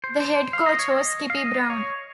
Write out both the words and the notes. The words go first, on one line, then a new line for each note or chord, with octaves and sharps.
The head coach was Kippy Brown.
C5
C5
C5
F5
D#5
C#5
D#5
F5
D#5
C#5